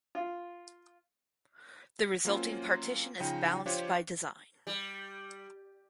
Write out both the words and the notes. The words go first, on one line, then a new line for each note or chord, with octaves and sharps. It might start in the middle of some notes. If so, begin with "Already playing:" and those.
The resulting partition is balanced by design.
F4
F#3 A#3 C4 C#4 F4
C#3 F3 D#4 D#5 G5 C#7
F3 D4 F4 G4 C5 C#5
G3